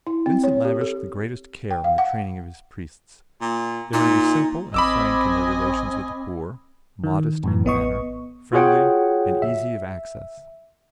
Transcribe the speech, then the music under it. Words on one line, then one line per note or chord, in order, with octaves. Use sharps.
Vincent lavished the greatest care on the training of his priests. They were to be simple and frank in their relations with the poor, modest in manner, friendly and easy of access.
E4
C4
C#5
G4
A4
G5
F5
F#5
A#2
A#2 D#4
A1 C4 D#5 G#5 B5 D6 E6
D#3
F#2 A2 E3
A1 B3 D#5 C#6
F4 F#4 G#4 C#5 F#5 G5
E5